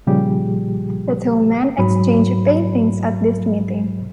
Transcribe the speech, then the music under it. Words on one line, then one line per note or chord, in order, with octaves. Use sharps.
The two men exchanged paintings at this meeting.
A#2 C#3 F3 G3 G4 G#4
G#2 F#3 B5